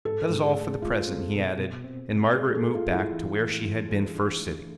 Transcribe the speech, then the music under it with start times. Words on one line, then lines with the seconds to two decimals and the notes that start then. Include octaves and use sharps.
"That is all for the present," he added, and Margaret moved back to where she had been first sitting.
0.05 G#2 A4
0.30 G#2
0.43 G#4
0.57 A3
0.81 G#3 F4
1.08 C4
1.34 B2
1.59 B2
1.84 C4
2.10 G#3
2.35 A2 G#4
2.55 A4
2.61 A3
2.75 F4
2.87 A2
2.93 E4
3.12 E3
3.38 A3
3.63 E3
3.90 G#4
4.15 D4
4.41 A3